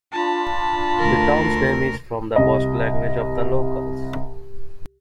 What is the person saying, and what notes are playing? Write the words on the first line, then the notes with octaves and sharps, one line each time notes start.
The town's name is from the Basque language of the locals.
D4 F4 A5 B5
D2 A#4
C2 D#5